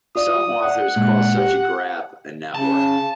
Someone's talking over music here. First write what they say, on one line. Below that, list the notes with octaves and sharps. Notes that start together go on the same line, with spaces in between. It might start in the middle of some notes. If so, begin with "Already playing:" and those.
Some authors call such a graph a "network".
F4 D5 D#6
F#5
A#2 G#3 F#6
G4
C#3 A5